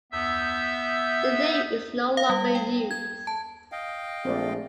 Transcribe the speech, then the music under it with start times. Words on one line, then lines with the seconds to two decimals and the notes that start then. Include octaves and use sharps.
The name is no longer used.
0.12 B3 E5 E6 G6
2.17 F5
2.30 G3
2.55 G5
2.91 G#6
3.27 A5
3.72 D#5 F5 G5
4.25 A#1 G#3 A3 C4 C5 D5